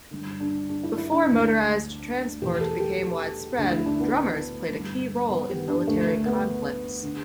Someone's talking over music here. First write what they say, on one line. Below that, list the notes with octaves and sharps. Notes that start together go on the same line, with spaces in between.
Before motorized transport became widespread, drummers played a key role in military conflicts.
G2 D3
D4
D4
E4
E4
D4
D2 D3
E2 B2 G4
A4
G4
D2 D3
E4
D4
B3
G2 D3
B3
G4
D4
D2 D3 A3
A3
B3
D3